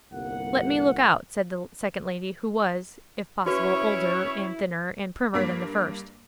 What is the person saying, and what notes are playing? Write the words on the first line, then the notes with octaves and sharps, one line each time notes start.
'Let me look out,' said the second lady, who was, if possible, older and thinner and primmer than the first.
G1 C2 A#3 F#5
C#4 E4 F#4 B4 C#5
G2 A#3 B6